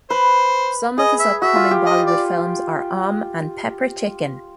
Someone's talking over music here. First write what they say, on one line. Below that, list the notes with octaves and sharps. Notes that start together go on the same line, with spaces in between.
Some of his upcoming Bollywood Films are "Om" and "Pepper Chicken".
B4 C5
G#4 D#5
E5
F#4 E5
F4
G4
D#5
D5